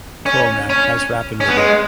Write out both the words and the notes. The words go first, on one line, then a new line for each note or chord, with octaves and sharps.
Cool, man. Nice rapping with you.
C#4
C#4
C#4
B3
G#3